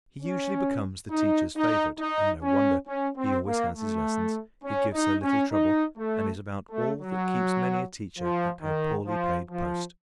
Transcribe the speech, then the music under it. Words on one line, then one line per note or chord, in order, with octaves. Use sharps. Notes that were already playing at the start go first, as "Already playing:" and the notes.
He usually becomes the teacher's favorite and no wonder: he always has his lessons, he gives her little trouble and is about all that keeps many a teacher at her poorly paid post.
C#4
D#4
D#4
D#4
C#4
C#4
C4
A#3
A3
C#4
D#4
C#4
D#4
A3
A3
F#3
F3
D#3
F3
F3